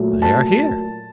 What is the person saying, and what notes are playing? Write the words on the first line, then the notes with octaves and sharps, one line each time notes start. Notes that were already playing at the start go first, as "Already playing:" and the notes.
"They are here."
Already playing: A#2 F#3 A3
A5